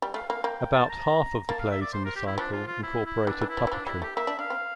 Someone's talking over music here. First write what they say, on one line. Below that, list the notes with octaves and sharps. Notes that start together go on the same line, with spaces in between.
About half of the plays in the cycle incorporated puppetry.
G3
A3 F5
A#3 F5
A#3 G5
G5
A5
A#5
A#3 A5
F5
E5
D5
C5
A#4
G4
E4
F3 D4
F4
F4
E4
E4
E3 D4
E3
E4
F3
E3
F3 D4
G3 E4
A3 G4
A#3 E5
D4
D4 F5
C4